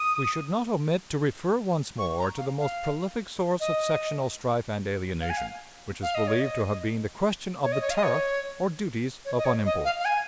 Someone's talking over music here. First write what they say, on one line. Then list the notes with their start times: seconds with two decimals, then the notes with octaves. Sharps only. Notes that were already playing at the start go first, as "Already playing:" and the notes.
We should not omit to refer once more to the most prolific source of sectional strife and alienation, which is believed to have been the question of the tariff, or duties upon imports.
Already playing: D#6
1.99 C#6
2.19 A#5
2.38 F5
2.59 F5
3.60 D#5
5.21 F5
5.30 G#5
5.37 F5
6.02 F5
6.15 D#5
6.27 C#5
6.40 D#5
7.63 C#5
7.72 D#5
7.82 C#5
7.90 F5
7.96 D#5
8.03 C#5
9.25 C#5
9.37 D#5
9.45 C#5
9.65 D#5
9.85 F5
10.00 F5
10.05 G#5